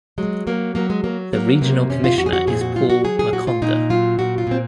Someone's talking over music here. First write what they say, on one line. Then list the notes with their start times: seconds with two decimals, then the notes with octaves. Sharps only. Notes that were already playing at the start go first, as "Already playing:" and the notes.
The regional commissioner is Paul Makonda.
0.18 F#3 G#3
0.47 F#3 A#3
0.75 F#3 A#3
0.90 G#3
1.04 F#3 A#3
1.33 F#3 A#3
1.61 C3 A#3
1.90 F2 C#4
2.04 F4
2.18 F2 F#4
2.26 G#4
2.33 F#4
2.47 A#2 G#4
2.61 F#4
2.76 F#3 F4
2.90 F#4
3.04 F#3 G#4
3.19 G#4
3.33 A#2 F#4
3.47 F4
3.62 A#2 D#4
3.90 F#3 F4
4.19 A#2 F#4
4.38 F4
4.47 A#2 C4